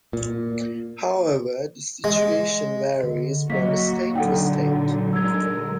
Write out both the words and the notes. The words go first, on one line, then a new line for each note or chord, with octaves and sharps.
However, this situation varies from state-to-state.
A#2
G#3
D3
F#3 A#3 F#4 D#5 B6
A#2 D3 F#3 D#4 A4 F#5 G5
D3 G#3 A#4 E6 G#6